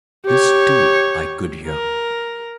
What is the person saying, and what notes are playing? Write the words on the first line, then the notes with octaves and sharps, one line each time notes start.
This, too, I could hear.
G4 C#5
A#4